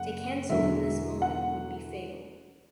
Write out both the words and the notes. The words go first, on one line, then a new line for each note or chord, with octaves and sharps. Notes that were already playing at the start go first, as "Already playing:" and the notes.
To cancel in this moment would be fatal.
Already playing: F#1 F#5
E1 E2 D3 F#3 E5
F#5